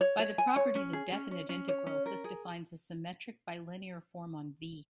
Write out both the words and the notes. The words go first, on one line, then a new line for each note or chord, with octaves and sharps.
By the properties of definite integrals, this defines a symmetric bilinear form on "V".
C#5
C#5
G#5
C#5
C#4
G#4
C#4
C#4
C#4
C#5
C#4
A#4
G#4